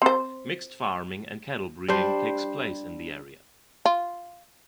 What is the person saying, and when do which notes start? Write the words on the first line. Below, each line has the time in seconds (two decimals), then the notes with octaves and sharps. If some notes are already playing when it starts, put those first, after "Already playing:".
Mixed farming and cattle breeding takes place in the area.
0.02 C4 C5
1.88 G3 D4 C5
3.86 F4